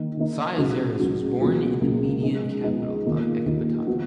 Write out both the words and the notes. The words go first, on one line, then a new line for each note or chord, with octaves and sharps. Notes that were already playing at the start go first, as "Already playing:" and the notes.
Cyaxares was born in the Median capital of Ecbatana.
Already playing: D#3 A#3 D#4
D#3 A#3 D#4
C#2 C#3 F#3
C#2 C#3 F#3
C#2 B2 F#3 A#3 F4
C#2 B2 F#3 A#3 F4
F3 G#3 B3 D#4 G#4
F3 G#3 B3 D#4 G#4
D#2 D#3 A#3 F4
D#2 D#3 A#3 F4
F3 B3 D#4 F#4